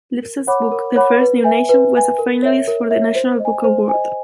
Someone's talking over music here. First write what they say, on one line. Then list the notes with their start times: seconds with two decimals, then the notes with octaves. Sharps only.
Lipset's book "The First New Nation" was a finalist for the National Book Award.
0.22 A#4
0.47 C#5 F#5 B5 D6
0.72 A#4
0.96 C#5 F#5 B5 D6
1.21 B4
1.44 E5 G#5
1.69 B4
1.94 E5 G#5
2.18 A#4
2.43 C#5 E5
2.68 A#4
2.91 C#5 E5
3.15 C5
3.40 D#5
3.45 G#5
3.64 C5
3.89 D#5 G#5